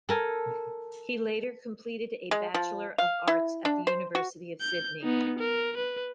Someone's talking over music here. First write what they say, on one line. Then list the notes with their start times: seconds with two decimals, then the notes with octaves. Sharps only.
He later completed a Bachelor of Arts at The University of Sydney.
0.09 A4 A#4 G#5
2.31 G#3
2.54 F3
2.98 F5
3.28 E4
3.65 D4
3.87 C5
4.15 F#4
4.61 G6
5.02 B3 D#4
5.38 A#4
5.77 B4